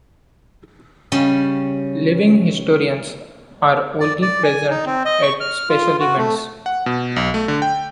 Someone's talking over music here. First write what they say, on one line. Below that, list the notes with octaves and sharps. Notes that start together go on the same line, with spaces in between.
Living Historians are only present at special events.
C#3 G3 C#4
D5
D5
G#5
D#4
C4
D#5
C#6
F6
F4
F#4
A3
F#5
B2
B1
A3
D3
G5